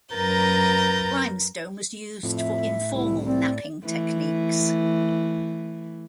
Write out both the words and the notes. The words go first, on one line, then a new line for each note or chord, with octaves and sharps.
Limestone was used for informal knapping techniques.
F#2 A#4 B4 A#5 G6 A6
F2 A2
E5
C2 E4
C4 D5
E3 A3